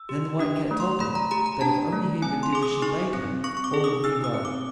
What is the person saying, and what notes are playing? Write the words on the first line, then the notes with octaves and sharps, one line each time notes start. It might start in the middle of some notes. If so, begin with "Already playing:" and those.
Then the White Cat told him that if only he would do as she bade him all would be well.
Already playing: E6
G4
D4 D#6
A3
C6
A3 B5
A#5
G4 A#5
A#5
D4 A5
A3
C4 G#5
C6
G#4 D6
D#6
D#4 C#6
C4
C4 C#6
C#6
D6
G#4
D#6
D#4 E6
D#6
C4
D6